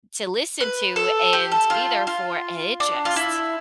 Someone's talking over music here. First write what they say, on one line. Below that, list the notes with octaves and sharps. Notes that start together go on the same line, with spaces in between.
to listen to, and be there for, and it just
B4
A4
G4
A4
F4
F4
D4
F4
E4